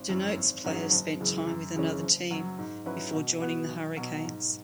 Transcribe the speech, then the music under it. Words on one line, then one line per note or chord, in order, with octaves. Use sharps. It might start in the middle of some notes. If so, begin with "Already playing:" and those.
Denotes player spent time with another team before joining the Hurricanes.
Already playing: G#1
F#2 E3 C#4
G#1
G#2 F#3 C#4 G#4
F#1
F#2 C#3 E3 G#3
F#2
C#3 E3 G#3 C#4
F#1
F#2 F#3
G#2
F#3 C#4 E4 B4
B2
B3 F#4 B4
B1
B2 F#3
G#2